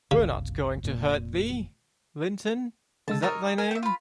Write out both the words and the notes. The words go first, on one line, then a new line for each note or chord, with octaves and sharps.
We’re not going to hurt thee, Linton — isn’t that thy name?
F#1 C2 C#3
F1 A#2
D3 G#3 A5 E6
D#4 A#4 C#5 E6 A6 A#6
A#4 G#5
E5 G5
F4 B5